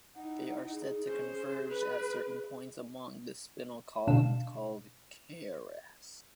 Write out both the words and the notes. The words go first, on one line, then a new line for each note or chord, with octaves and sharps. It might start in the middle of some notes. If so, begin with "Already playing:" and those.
They are said to converge at certain points along the spinal column called chakras.
D#4 E4 F#5
G#4
C#4 C5
B4
B2 D3 D4 F5 E7